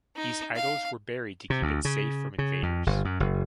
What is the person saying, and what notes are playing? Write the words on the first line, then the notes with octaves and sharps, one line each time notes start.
These idols were buried to keep it safe from invaders.
D#4
F5
C3
D2
C#3
C#3
F2
G1
F#2
F#1